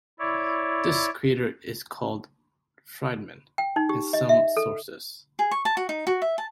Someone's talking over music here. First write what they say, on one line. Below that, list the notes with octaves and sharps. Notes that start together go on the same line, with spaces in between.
This crater is called Friedmann in some sources.
E4 C#5 D5
G5
D#4
G4
D#5
E5
A4
G#4
C#6
A5
F#4
D#4
F#4
E5
A5